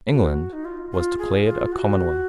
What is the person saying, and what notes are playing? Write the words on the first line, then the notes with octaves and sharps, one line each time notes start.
England was declared a commonwealth.
F#4
D#4
F4
F4
G#4
F4
F#4